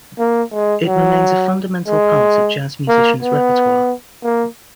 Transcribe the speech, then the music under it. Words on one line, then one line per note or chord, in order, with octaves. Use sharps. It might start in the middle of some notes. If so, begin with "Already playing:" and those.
It remains a fundamental part of jazz musicians' repertoire.
A#3
G#3
F#3
G#3
A#3
B3
A#3